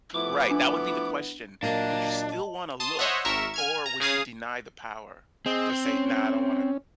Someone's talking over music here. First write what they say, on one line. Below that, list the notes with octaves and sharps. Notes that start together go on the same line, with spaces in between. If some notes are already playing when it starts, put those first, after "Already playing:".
Right, that would be the question. Would you still wanna look, or would you deny the power, to say, "Nah, I don't wanna
F3 A3 B3 E4 D6
D4
A#2 F#3 A#3 D4 D#5 A5
A5 C6 D#6
C5 C#5 D#5 E5 F#5
G#1 A#4 E5 C#6 E7
G#5 F6 G#6
A#5
C#3 G#4 F5 D#6
C4 G#4 D#5
C#4